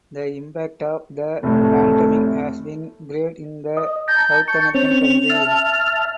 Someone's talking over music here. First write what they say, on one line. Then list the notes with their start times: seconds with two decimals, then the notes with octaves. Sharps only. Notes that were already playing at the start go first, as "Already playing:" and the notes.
The impact of the pandemic has been great in the South American country.
1.43 F1 A2 A3
3.77 D#5
4.08 A5 A#5 G6
4.48 A5 C#6 G6
4.74 C4 C#4 F7
5.30 E5 A5 F6